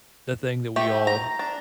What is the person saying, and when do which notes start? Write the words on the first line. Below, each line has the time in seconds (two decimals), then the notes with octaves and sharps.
the thing that we all
0.76 A3 G4
1.07 A#5
1.39 D4